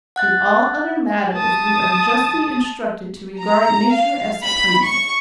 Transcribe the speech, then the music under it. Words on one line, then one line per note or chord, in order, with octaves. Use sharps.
In all other matters we are justly instructed to regard Nature as supreme.
F#5 F#6 A6
A5 D#6
A#5
F5
B5
C#6